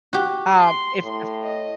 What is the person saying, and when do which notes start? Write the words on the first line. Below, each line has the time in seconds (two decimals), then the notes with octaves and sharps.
Um, if if
0.13 F#4 G4
0.60 C6
1.03 A2 C6
1.43 D#5